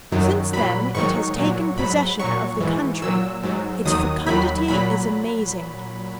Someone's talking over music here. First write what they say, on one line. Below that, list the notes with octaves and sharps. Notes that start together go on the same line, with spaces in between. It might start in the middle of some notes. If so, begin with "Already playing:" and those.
Since then it has taken possession of the country. Its fecundity is amazing.
F#2 D#3 F#3
A#2 F#3 B5
G#2 D#3 F#3 C#6
A#2 F#3
G#2 F#3 B5
A#2 F#3 C#6
G#2 E3
A#2 F#3 E6
G#2 F#3
D#2 D#3 F#3 D#6
D#2 D#3 F#3 B5
A#2 F#3 B5